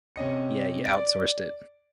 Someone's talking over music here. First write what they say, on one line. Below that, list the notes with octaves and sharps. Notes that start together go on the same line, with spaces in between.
Yeah, you outsourced it.
C3 C#4 D#5 C#7
D5 D7